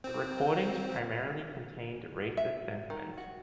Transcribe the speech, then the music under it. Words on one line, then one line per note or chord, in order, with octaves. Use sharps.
The recordings primarily contained racist sentiment.
C4
E5
D#3
F#4